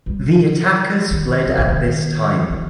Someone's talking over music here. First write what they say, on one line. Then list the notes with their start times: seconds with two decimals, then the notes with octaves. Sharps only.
The attackers fled at this time.
0.06 G3
1.11 D#3
1.46 D#3
1.58 C#3
1.68 D#3
2.50 C#3